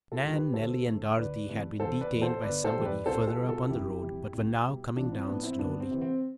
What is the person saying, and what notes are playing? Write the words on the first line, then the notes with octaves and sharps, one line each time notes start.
Nan, Nellie, and Dorothy had been detained by somebody further up on the road, but were now coming down, slowly.
F4 A4
D2 D3 G3
G4 B4
D2 A4 C5
D3 A3
D2 B4 D5
C3 E3 A3
E1 A4 C5
B4 D5
E2 B2
A4 C5
G1 B4 D5
A4 C5
F2 C3 G3
B4 D5
C2 A4 C5
F4 A4
B2 G3
F4 A4
F1 E4 G4
F2 C3 G3
C2
B2 G3
A1 D4 F4
C4 E4
A2 F3 A3 B3 D4
C4 E4
D2 B3 D4
C4
C3 E3
C4